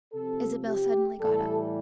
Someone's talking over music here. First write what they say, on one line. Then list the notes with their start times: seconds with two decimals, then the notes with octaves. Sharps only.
Isabel suddenly got up.
0.13 C3 F3 A4
0.66 G4
1.19 A2 E3 G3 A4